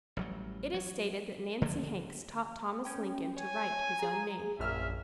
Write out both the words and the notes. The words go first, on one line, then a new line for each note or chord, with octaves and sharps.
It is stated that Nancy Hanks taught Thomas Lincoln to write his own name.
A1 F#3 G3
F#3
D3 F3 A3 A#3
C#4 G5
C#5 G#5
G#4 A#5
A#1 F#2 E5 F6